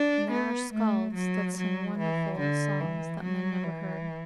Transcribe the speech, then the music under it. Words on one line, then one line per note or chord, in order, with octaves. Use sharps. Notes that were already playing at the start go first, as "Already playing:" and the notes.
And there are skalds that sing wonderful songs that men never heard.
Already playing: D4
B3
A3
F#3
F#3
E3
D3
E3
F#3
E3